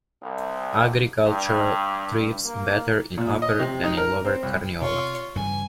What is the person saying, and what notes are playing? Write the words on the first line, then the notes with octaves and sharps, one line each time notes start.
Agriculture thrives better in Upper than in Lower Carniola.
C2
G2
A#3
A#2
D#5
C3
D#4
A#4
C4
C2
C3 F4 C#5
G2 C#3 E3 G#5